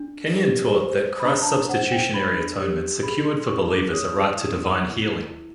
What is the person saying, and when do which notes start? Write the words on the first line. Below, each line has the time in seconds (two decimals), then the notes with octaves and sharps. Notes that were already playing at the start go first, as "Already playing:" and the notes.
Kenyon taught that Christ's substitutionary atonement secured for believers a right to divine healing.
Already playing: D4
0.35 G4
0.80 C5
1.20 B5
1.25 D4 A#5
1.42 A5
1.47 A#5
1.69 C5 F#5
1.92 G5
2.14 D4 B5
2.59 G4
3.03 G#4 B5
3.26 C6
3.47 E4 C#6
3.70 D6
3.92 C#5 D#6
4.37 E4
4.81 E4
5.26 E4